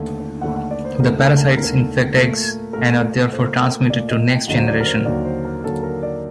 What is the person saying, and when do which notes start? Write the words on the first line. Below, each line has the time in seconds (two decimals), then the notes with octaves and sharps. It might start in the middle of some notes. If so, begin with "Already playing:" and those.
The parasites infect eggs and are therefore transmitted to next generation.
Already playing: D#2 D3 A3
0.41 D#2 D3 A3 F#5
0.57 F#5
0.71 D5
0.85 C5
1.00 D#2 D3 A3 A#4
1.19 A4
1.38 A#4
1.57 D#2 D3 A3 A#4
2.15 A#2 A3
2.73 A#2 A3 A#4
3.32 A#2 A3 C5
3.90 A#2 A3 D5
4.08 D#5
4.28 G5
4.47 D#2 D3 F#3 D#5
4.58 C5
4.68 D5
4.80 A#4
4.86 C5
5.05 D#2 D3 F#3 D5
5.25 C5
5.45 A#4
5.63 D#2 D3 F#3 A4
5.83 A#4
6.03 D5